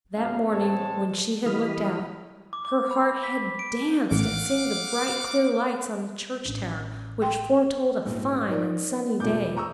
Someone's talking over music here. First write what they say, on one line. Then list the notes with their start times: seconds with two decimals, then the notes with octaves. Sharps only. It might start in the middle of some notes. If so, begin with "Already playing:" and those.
That morning when she had looked out, her heart had danced at seeing the bright clear lights on the church tower, which foretold a fine and sunny day.
0.15 F#2 C#3 F#3 A3 F5
0.51 A1 G#3 C4 C5 C#5 A5
1.46 E3 G3 D#5 B5 F6
2.53 D6
2.65 D6
2.91 B5
3.24 B6
3.59 D7
4.11 A1 F5 F#5 D6
6.45 A1 C#4 D4
7.22 G5 C6
8.05 A#1 G#2
8.49 D#4 A#4 D5
9.20 E1 A#2 G3 D6 G6
9.57 A#5 C#6 D#6 E6